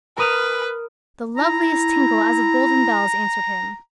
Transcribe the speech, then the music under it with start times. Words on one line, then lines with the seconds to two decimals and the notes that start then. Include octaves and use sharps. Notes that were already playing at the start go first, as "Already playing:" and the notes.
The loveliest tinkle as of golden bells answered him.
0.18 A#4 B4 D#6 F6
1.37 E4 A#5